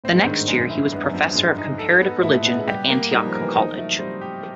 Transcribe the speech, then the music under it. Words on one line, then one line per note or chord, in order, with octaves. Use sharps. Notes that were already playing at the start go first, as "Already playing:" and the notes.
The next year he was professor of comparative religion at Antioch College.
A2 C4
G#2
G2
G#2 D#3
F#2 G#3
E4
G2 B3
F#2
G2 F3
G2
G#2 G#3
D#4
A4
B3
G#2
A2 E4
A#2
B2 B3
C#3
G3 G4
A#3
G3 D#4
F3
A#4
E3
F3 D#4
F3
F#3 A3
G3 C4
G4